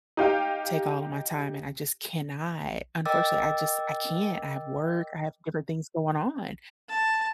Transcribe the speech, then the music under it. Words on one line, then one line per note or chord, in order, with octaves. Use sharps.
take all of my time, and I just cannot. Unfortunately, I just I can't. I have work, I have different things going on,
D#4 G4 F5 G5
A#4 D#5 G5 D6 E6 A6
A5